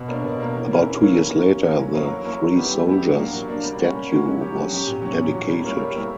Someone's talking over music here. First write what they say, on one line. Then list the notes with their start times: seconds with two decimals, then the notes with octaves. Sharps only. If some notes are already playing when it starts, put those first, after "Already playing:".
About two years later the Three Soldiers statue was dedicated.
Already playing: B2
0.08 A#3 D4 A#4 C#5
0.24 B2
0.40 A#3 D4 A#4 C#5
0.54 E3
0.71 A#3 C#4 E4 A#4
0.86 E3
1.01 A#3 C#4 E4 A#4
1.16 E3
1.32 A#3 C#4
1.48 E3
1.62 A#3 C#4
1.79 F#3
1.94 A#3 E4 A#4 C#5
2.09 F#3
2.24 A#3 E4 A#4 C#5
2.40 E3
2.55 G3 B3 E4 G4
2.70 E3
2.87 G3 B3 E4 G4
3.02 F#3
3.17 A#3 D4
3.33 F#3
3.48 A#3 D4
3.64 G3
3.79 A#3 C#4 F#4
3.95 G3
4.10 A#3 C#4 F#4
4.26 F#3
4.41 C#4 G4
4.56 F#3
4.72 C#4 G4
4.87 A#2
5.02 F#3 C#4
5.18 A#2
5.33 F#3 C#4
5.49 G3
5.64 A#3 E4 A#4 C#5
5.79 G3
5.95 A#3 E4 A#4 C#5